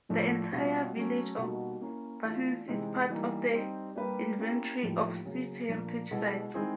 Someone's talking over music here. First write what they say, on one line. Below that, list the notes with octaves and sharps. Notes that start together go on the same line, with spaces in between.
The entire village of Bursins is part of the Inventory of Swiss Heritage Sites.
A2 F3 A3 D4
B2 G3 C4 F4
F#3 A3 C#4
B2 G3 A#3 D#4 F#4
A#3 C#4 E4
E3 A3 D4 F4
C3 E3 G#3 C4 D#4
E3 G3 A#3 D#4
G3 C4 D#4
G3 A#3 D4 G4 B4
A#3 C#4 E4 G4
A2 F3 A#3 D#4 G4
C#3 F#3 A#3
A#2 F3 A#3 D4
B2 G#3 B3 E4 A4
D#3 G#3 C4 E4 G#4